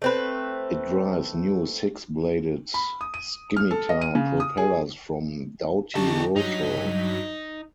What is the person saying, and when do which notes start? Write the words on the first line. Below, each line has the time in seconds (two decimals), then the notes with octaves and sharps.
It drives new six-bladed scimitar propellers from Dowty Rotol.
0.02 A3 C4 B4
2.74 B5
3.01 D#6
3.14 D#7
3.57 F6
3.71 A4
3.89 D#5
4.01 D#7
4.15 C#3
4.40 D#6
4.57 G#4
5.95 D3 D#4 G4 A5 C#6
6.36 G2 F#3 D#4 B6